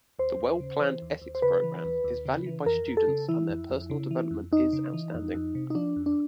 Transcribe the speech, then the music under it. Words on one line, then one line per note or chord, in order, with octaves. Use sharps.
The well-planned ethics programme is valued by students and their personal development is outstanding.
D#2 C5
D#2
C#3
E3
D#2
D#2
C5
C#3 B4
E3
D#2
D#2
C#3
E3
F2 A#4
F2
A4
C#3
E3 E4
F2
F2
C#3
E3
F2
F2 D#4
C#3
E3
F2
F2
C3
D#4
F3 D4
F2
D4